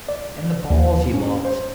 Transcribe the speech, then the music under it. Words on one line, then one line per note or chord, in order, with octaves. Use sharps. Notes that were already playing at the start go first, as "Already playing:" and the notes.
And the balls he lost!
D5
D#2
C#4
C5